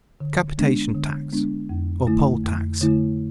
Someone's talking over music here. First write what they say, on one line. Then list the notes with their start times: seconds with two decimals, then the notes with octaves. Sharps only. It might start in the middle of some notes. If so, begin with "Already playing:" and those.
A capitation tax, or poll-tax.
0.20 D3
0.58 G#3 B3 D4
0.95 D3
1.33 G#3 B3 D4
1.69 F2
2.07 D3 A3 E4
2.44 F2
2.81 D3 A3 E4